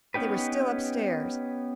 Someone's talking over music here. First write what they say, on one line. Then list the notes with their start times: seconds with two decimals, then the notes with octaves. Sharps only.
They were still upstairs.
0.14 B3 C#4 D#4 G4 B4